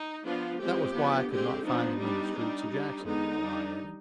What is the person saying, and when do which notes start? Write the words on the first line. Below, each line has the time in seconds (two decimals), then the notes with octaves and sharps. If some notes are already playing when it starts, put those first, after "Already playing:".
"That was why I could not find him in the streets of Jacksonville," I added.
Already playing: D#4
0.25 F3 B3 D4 F4
0.60 F3 G#3 C4 G4
0.94 F3 B3 D4
1.30 D3 G#3 C4 G4
1.65 F3 B3 D4 D#4
2.00 G3 B3 D4
2.35 G3 D4
2.70 G3 D4
3.05 D3 G#3 B3 D#4
3.40 G3 D4